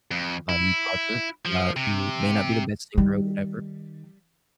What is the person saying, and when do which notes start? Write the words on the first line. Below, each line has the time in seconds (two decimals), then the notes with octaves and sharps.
uh, your brother, uh, who may not be the best singer or whatever,
0.11 F2
0.49 E4
1.45 F3
1.76 C3
2.98 D#3 G3